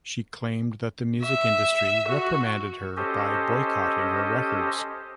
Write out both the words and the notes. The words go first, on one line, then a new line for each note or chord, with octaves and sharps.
She claimed that the music industry reprimanded her by boycotting her records.
E5
F#4
C#4 G4 A4 C5 D#5